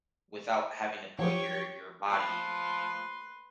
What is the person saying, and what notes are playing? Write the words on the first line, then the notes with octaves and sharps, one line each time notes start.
without having to put your your body,
F3 F#3 G4 C#5 G5
F3 B4 C6